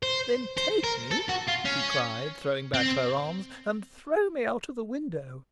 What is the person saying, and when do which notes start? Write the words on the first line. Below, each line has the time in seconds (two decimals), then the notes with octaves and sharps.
"Then take me," she cried, throwing back her arms, "and throw me out of the window."
0.03 C5
0.58 C5
0.84 A#4
1.11 A4
1.29 F#4
1.48 F4
1.65 C#4
2.74 C4